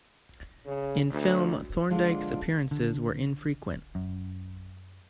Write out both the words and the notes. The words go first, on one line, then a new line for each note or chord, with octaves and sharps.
In film, Thorndike's appearances were infrequent.
C#3
D2
D3 F3 G#3 A#3 D4 F4
D3
F#2